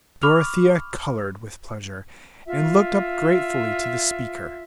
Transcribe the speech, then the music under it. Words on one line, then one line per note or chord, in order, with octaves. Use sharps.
Dorothea colored with pleasure, and looked up gratefully to the speaker.
B5 C#6 D6 F6 F7
F4 E5